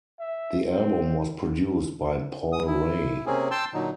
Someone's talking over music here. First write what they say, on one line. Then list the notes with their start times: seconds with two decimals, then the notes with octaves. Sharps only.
The album was produced by Paul Ray.
0.19 E5
0.70 C4
2.53 D#6
2.67 E4
3.26 C3 A#3 C4 C#4 G#4
3.51 G5 A5 C6 E6
3.74 A#2 D3 F#3 D#4